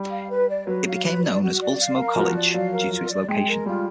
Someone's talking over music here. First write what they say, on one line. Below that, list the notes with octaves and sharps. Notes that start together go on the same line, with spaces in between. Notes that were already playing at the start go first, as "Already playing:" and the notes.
It became known as Ultimo College, due to its location.
Already playing: G3
F5
B4
D5
F#3 B4
F5
B4
D5
F#4
D5
F5
A#4
F3 F#4
D5
F#3 F5
A#4
F4
D5
G#3 G5
A#4
G3 F4